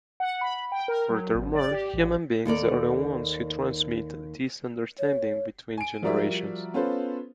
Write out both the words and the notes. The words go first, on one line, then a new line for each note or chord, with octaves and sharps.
Furthermore, human beings are the ones who transmit this understanding between generations.
F#5
B5
G5
A#4
F#3
G#1
D5
G4
A1
D#2 A4 A#4 D5
C#5
G#5 D7
F3 G3 F#4 A#4 D5 E5
B3 C#4 F4 A4 B4 C5